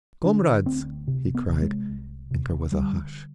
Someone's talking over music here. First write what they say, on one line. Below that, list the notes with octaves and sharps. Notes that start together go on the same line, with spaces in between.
"Comrades!" he cried and there was a hush.
D3 D4
D2 C4
C3
B3
C3
G#3
C2
C3
D3 G3